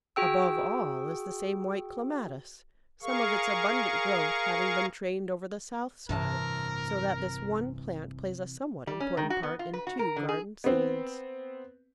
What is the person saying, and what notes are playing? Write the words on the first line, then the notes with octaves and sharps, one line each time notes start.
Above all is the same white Clematis, some of its abundant growth having been trained over the south side, so that this one plant plays a somewhat important part in two garden-scenes.
F#4 G#4 G5 E6
G#4 A#4 F5 C#6
A1 G2 C3 E3 A#4 A5
G3
C#4
D#3
F#4
B3
F4
B4
F#4
A#4
D3
G#4
B3 C4